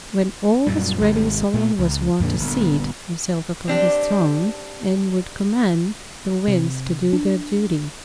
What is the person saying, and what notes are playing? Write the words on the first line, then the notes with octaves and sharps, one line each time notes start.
When all was ready Solomon was wont to seat himself upon his throne, and would command the winds to do their duty.
F#2 A#2 G3
G#1 C3 G#3
A#2 G3 A3
C#2
F2 A#2 D3 D4
G1 A#2
C4 D4 G4
C3
D4